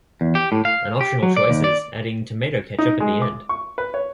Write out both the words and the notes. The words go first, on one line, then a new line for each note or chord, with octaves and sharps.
An optional choice is adding tomato ketchup at the end.
E2
G4
A2
F5
G4
F#3
D5
D#2
D5
D#4
G#3
D6
C#6
B4
C#5